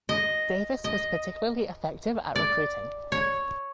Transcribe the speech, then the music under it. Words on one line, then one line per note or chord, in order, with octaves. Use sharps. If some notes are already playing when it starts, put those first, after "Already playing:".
Davis was particularly effective at recruiting.
D#5
D#5
D5
C#5